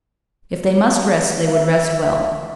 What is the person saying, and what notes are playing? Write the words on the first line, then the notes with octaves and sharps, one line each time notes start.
If they must rest they would rest well.
E5